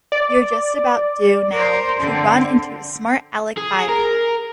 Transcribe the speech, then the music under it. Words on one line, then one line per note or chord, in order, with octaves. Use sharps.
You're just about due now to run into a smart-Alec buyer.
D5
A#4 C5
D3 C4
G#4
A#4